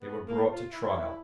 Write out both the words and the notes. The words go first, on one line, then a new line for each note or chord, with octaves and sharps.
They were brought to trial.
B3
A#3
F4
E4
E4